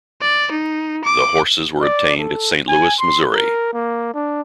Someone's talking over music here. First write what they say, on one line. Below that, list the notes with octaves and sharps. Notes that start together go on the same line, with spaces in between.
The horses were obtained at Saint Louis, Missouri.
D5
D#4
D6
D5
A4
G#5
C6
A#4
A#3
D4